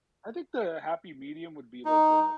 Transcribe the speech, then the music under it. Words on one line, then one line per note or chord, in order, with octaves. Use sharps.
I think the happy medium would be like, uh,
D#4